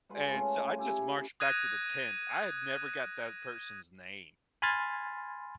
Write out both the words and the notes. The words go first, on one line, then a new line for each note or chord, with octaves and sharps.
And, so, I just marched back to the tent, I had never got that person's name.
G#3 F4 B4 F#5
A3 C#4 F4
E4 G4 G#5
D#6 F#6 G#6 A#6 D#7
G#5 B5 C6 F6 G#6 A6